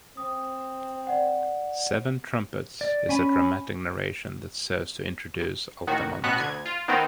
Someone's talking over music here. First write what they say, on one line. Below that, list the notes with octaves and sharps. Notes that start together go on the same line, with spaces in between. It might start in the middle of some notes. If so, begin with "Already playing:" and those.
"Seven Trumpets" is a dramatic narration that serves to introduce "Altamont".
C4 D#6
D5 F#5
D5
C#4 G#5 B5
A1 D#3 F#4
A1 B2 B3 F#4 F#6
D2 G#6
F4
D#3 B3 C4 D#4